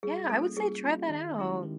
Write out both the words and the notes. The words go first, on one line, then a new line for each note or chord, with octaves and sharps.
Yeah, I would say try that out.
G3 G#4
A#3 C#4 F4 A4
G3 G#4
A#3 C#4 F4
D#3
G#3 C#4 E4 G4
D#3